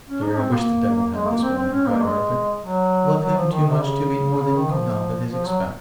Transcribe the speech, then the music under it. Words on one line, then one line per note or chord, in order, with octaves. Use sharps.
'Oh, dear, I wish the devil had this woman!' cried Arthur: 'love him too much to eat more than you can help at his expense.'
C#4
D#4
C4
A#3
G#3
A#3
C4
C4
C#4
A#3
G#3
F#3
F#3
F3
D#3
C3
C#3
C#3
D#3
F3
F3
F#3